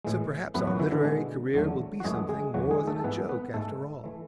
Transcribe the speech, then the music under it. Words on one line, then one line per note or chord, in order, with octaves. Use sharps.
So perhaps our literary career will be something more than a joke, after all.
A2 E3 G#3
F#2 E3 A3 B3 B4
F#3 F#4
E3 E4
D3 D4
B2 G#3
E2 D3 F#3 A3
F#4
F#2 E3 G#3 A3 G#4
G#3 G#4
E2 C#3 E3 F#3 F#4
G#3 G#4
A3 A4
A4
G#2 E3 G#3 B3 B4
B3 B4
G#2 G#3 A3 A4
E3 A3